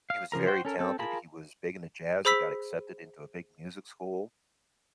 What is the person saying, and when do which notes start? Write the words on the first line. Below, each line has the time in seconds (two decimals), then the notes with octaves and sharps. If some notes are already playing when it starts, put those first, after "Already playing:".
he was very talented, he was big into jazz, he got accepted into a big music school,
0.10 F5
0.32 C#3 F3 A#4 A#5
0.46 F#4 C5 G5
0.65 C#4 A4 A#4
0.79 C4 A4
0.99 F4 G#4 A#4 A5 B5
2.25 G#4 C5 B5 E6 B6